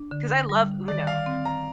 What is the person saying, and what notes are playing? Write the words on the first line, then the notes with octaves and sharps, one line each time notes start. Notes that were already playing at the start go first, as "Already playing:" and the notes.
'cause I love UNO,
Already playing: D4
D3
G3
D#3 D5
F5
C4
A#5